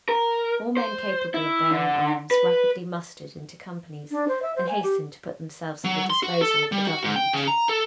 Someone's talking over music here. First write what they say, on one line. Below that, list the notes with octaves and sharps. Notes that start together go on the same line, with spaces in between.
All men capable of bearing arms rapidly mustered into companies and hastened to put themselves at the disposal of the government.
A#4
C5
E4
D3
B4
D4
C5
E5
C5
G#5
G4
F#3
C6
F#4
A4
G3
F#4
G#2
G5
C#3
A#5
A4